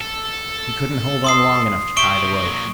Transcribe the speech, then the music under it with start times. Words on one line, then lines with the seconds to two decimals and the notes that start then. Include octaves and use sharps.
He couldn't hold on long enough to tie the rope....
0.01 A4
1.24 C6 D#6 C7
1.97 G4 E5 C#6 D7 G7
2.42 A#2 F#3